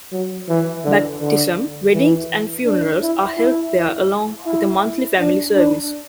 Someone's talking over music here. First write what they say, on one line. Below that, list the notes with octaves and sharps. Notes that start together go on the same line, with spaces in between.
Baptism, weddings and funerals are held there along with a monthly family service.
F#3
E3
D3
D3
E3
D4
E4
E4
E4
D4
D4